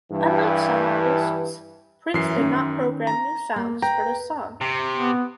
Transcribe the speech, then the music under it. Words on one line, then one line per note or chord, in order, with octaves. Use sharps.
Unlike some artists, Prince did not program new sounds for this song.
G2 E3
F#2 E3 C7
D#3 C#4
A#5
A#3
B4 G5 A#5
C3
B3